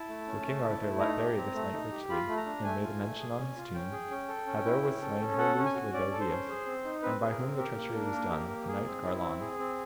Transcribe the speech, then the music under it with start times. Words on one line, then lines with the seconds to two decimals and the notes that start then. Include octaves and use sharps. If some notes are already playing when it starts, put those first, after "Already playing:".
So King Arthur let bury this knight richly, and made a mention on his tomb, how there was slain Herlews le Berbeus, and by whom the treachery was done, the knight Garlon.
Already playing: E4 A5
0.09 A3
0.27 C#4
0.46 A3
0.64 E4
0.81 A3
1.00 D#4 A#5
1.18 G4
1.37 C4
1.55 A3
1.73 D#4
1.91 G4
2.10 F4 B5
2.28 A3
2.37 A#5
2.46 D4
2.64 A3 G#5
2.83 F4
3.01 A3
3.19 G#4
3.37 C#4
3.56 F4
3.74 C#4 G5
3.92 G#4
4.11 C#4
4.28 A4
4.47 C#4
4.65 E4
4.83 C#4
5.02 A4
5.20 C#4
5.38 A4 F#5
5.57 C#4
5.66 G#5
5.75 F#4
5.93 C#4 D5
6.12 A4
6.20 C5
6.30 C#4
6.48 G#4
6.66 C4
6.85 D#4
7.02 C4 B4
7.21 G#4
7.30 A#4
7.39 C4
7.57 G4 A#4
7.75 A#3
7.94 D4
8.12 A#3
8.31 G4
8.48 A#3
8.67 G#4
8.86 C4
9.04 E4
9.21 C4
9.40 G#4
9.59 C4